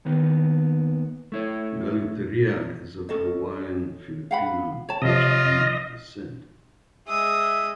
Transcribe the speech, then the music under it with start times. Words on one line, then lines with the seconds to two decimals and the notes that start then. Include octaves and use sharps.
Galuteria is of Hawaiian, Filipino, and Portuguese descent.
0.05 D#2 D#3 B3
1.32 A3 E4 C#5
3.09 C#4 A4 D#5
4.31 F5 F#5 B5
4.89 C#5 A5
5.02 C3 F3 F4 D#5
7.08 G#3 E5 D#6